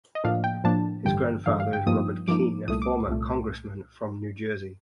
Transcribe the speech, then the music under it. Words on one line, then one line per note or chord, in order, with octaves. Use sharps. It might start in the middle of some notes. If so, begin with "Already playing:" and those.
His grandfather is Robert Kean, a former Congressman from New Jersey.
D#5
A2 F3 A#3 D4 F5
G5
A2 F3 A#3 D4 A5
A1 G2 D3 G3 G5
A1 G2 D3 G3 F5
F5
G5
G2 F3 A#3 D#4 D#6
G2 F3 A#3 D#4 D6
C2 A#2 A3 D#6
D6
C2 A#2 A3